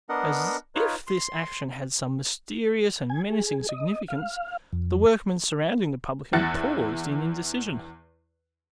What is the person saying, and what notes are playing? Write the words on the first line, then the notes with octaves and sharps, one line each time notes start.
As if this action had some mysterious and menacing significance, the workmen surrounding the publican paused in indecision.
B3 D4 A#4 D#5 F#5
D#4 F4 B4 C#5
C6
G#5
G#4
D#5
F5
F2
E2 E4 F#6 A6 A#6 C#7